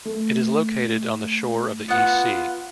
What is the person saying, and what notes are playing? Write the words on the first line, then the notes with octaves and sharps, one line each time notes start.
It is located on the shore of the East Sea.
A3
B3 F4 F#5